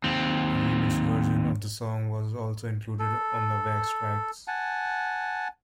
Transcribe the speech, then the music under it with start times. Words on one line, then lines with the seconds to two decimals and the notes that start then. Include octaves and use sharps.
The remixed version of the song was also included on the Wax Trax!
0.04 D#2 C4
2.99 A4
4.48 F#5 G#5 A5